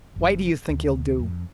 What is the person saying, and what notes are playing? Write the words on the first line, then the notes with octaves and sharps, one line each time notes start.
"Why do you think he'll do?"
F#1 F#2
D2
F2